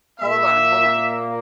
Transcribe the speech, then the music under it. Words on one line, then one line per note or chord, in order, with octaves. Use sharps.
Hold on, hold on.
A#2 A#3 E5